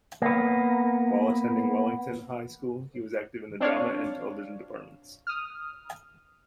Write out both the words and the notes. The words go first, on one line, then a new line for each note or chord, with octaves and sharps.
While attending Wellington High School he was active in the drama and television departments.
A#3 B3
C4 D4 C#5 F5
D#6 F6